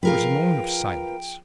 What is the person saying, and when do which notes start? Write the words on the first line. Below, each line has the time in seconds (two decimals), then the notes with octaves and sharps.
There was a moment of silence.
0.03 F3 F4 G#4 A#4 B4 G5